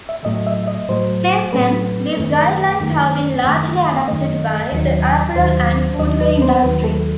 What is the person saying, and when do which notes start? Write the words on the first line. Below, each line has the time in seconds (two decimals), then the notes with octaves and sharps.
Since then, these guidelines have been largely adopted by the apparel and footwear industries.
0.09 E5
0.25 A2 F#3 A3 D#5
0.47 E5
0.68 D#5
0.89 A2 F#3 A3 C5
1.53 A2 F#3 A3 B4
2.17 F#2 D#3 A3
2.80 F#2 D#3 A3
3.44 F#2 D#3 A3
4.08 F#2 D#3 A3 D#5
4.72 D#2 D#3 F#3
5.35 D#2 D#3 F#3 C5
5.98 D#2 D#3 F#3 D#5
6.21 B4
6.42 C5
6.62 D#2 D#3 F#3 B4
6.84 A4